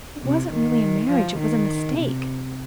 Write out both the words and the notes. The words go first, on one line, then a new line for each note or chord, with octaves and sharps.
It wasn't really a marriage; it was a mistake.
C3
D#3
F3
D#3
C3